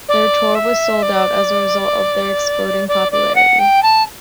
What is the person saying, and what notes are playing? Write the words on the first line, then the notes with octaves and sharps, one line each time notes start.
Their tour was sold out as a result of their exploding popularity.
D5
E5
D5
D5
D5
F#5
G5
A5